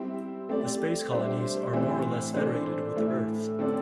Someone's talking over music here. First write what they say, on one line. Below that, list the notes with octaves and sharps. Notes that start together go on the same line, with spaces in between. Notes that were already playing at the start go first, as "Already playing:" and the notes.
The space colonies are more or less federated with the Earth.
Already playing: G3 C4 E4
A3 C4 G4 D5
G3 D4 C5 E5
A2 E3 C4 E4 C5
E3 A3 D4 C5
A2 A3 E4
D3 C4 A4 D5